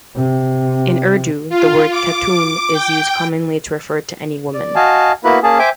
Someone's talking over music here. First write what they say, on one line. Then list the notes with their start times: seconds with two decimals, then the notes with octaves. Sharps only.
In Urdu, the word "khatun" is used commonly to refer to any woman.
0.16 C3
1.49 F4
1.91 D6
2.71 G5
4.54 D5
4.75 F#4 D#5 F5 G#5 A5
5.24 A#3 B3 E4 F#4 B4
5.43 A#3 C#4 G#4 A5
5.59 C5 E5 G5 G#5 D6